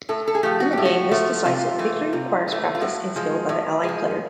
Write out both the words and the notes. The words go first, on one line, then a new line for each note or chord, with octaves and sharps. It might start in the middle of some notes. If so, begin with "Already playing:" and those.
In the game this decisive victory requires practice and skill by the Allied player.
A2 A4
A4
G#4
F3 A3 G4
F#4
A2 G4
F#4
F3 A3
C3 F4
E3 A3
C3
E3 A3
F4
A2 F#4
F3 G#3
A2
G#3
F3